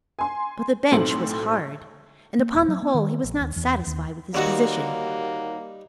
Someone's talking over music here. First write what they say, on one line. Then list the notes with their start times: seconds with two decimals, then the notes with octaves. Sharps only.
But the bench was hard and, upon the whole, he was not satisfied with his position.
0.19 G#5 C6
0.92 B1 A2 C4 A4 C6 F#7
2.39 A#3
2.54 D#1
2.68 F#3
2.82 B3
2.94 D#3
3.23 A#1
3.41 D#2
3.56 E2
3.87 D#2
4.34 D#2 G3 A#3 D#4 F#4